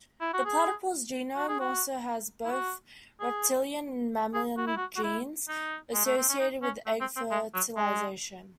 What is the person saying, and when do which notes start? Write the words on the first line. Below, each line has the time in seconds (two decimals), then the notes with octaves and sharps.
The platypus genome also has both reptilian and mammalian genes associated with egg fertilisation.
0.21 E4
0.34 F#4
0.46 G#4
1.37 F#4
1.48 G#4
1.60 F#4
2.45 E4
2.51 F#4
3.20 G#4
4.34 G#4
4.57 F#4
4.67 E4
4.77 F#4
4.97 F#4
5.04 E4
5.49 D#4
5.94 G#3
6.05 A3
6.17 C4
6.29 C#4
6.40 D#4
6.63 C#4
6.86 A3
7.01 C4
7.16 C4
7.31 G#3
7.54 F#3
7.77 G#3